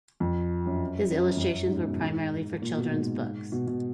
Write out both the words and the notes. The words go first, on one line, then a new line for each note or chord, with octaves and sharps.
His illustrations were primarily for children's books.
F2
F#2
F#2
F#2
F2
F#2
G#2
F#2
B2
G#2
A#2
B2
G#2
B2
B2